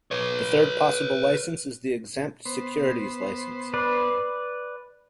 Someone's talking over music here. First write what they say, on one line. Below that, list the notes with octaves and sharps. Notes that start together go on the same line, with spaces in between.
The third possible license is the exempt securities license.
B4 C#5
B3 C5
B4 D5